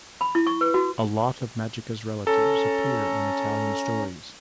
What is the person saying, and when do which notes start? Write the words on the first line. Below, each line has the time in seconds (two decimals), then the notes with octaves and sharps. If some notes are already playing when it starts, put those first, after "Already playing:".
A lot of Magica's relatives appear in Italian stories.
0.21 B5
0.35 E4
0.47 C#6
0.61 B4
0.74 F#4
2.27 C#4 A4 A#5